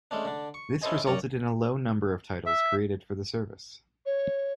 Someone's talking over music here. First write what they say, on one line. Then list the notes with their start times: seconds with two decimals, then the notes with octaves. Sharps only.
This resulted in a low number of titles created for the service.
0.11 G#3 A3 C#4 D4
0.25 D3 D4
0.54 C#6
0.82 C#4 E4 A4 C5 D#5 G#5
1.07 F#2 C#4 C#5 D5 G#5 A#5
2.46 E5
4.06 C#5